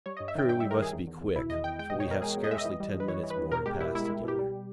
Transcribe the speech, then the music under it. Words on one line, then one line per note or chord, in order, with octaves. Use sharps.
"True, we must be quick, for we have scarcely ten minutes more to pass together."
G3 C#5
G2 D#5
E5
D#3 G5
G2 G5
G3 E5
A#4
D#3 G#4
E2
E2
E2
B2 E4
E2 D#5
E2 G5
G#3 G5
B2 D#5
C#5
B2 A#4
G#3 G#4
B2
D#5
G#3 E5
D#5
E3
G3
G2
B4
E3 C#5
E3
B4
G2
B2 A#4
G#3 G4
B2 E4
G#3 E4
G#3 E4
B2 G4
G3